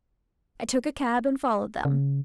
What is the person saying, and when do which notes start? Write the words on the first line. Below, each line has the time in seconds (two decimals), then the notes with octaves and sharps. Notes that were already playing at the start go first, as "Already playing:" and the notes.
I took a cab and followed them.
1.85 C#3